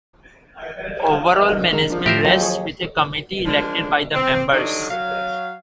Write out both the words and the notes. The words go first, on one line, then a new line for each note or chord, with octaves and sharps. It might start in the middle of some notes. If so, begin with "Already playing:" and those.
Overall management rests with a committee elected by the members.
G#3 A#4
F3 D4
A2 G4 A#4 C5 E5
D#2 F#3 A4 G5
G#4 C#5
F3 G#3 A#3 D4
C4
D3 F#3 G3 D4 D#4 A4
F#3 F5